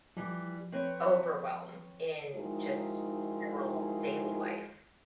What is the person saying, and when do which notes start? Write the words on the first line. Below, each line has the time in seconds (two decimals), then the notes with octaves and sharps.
overwhelm, in, just, general daily life.
0.17 E3 F3 G3
0.72 C4 B4 C#5
2.34 D#3 F3 G#3 D#4 E4 F#4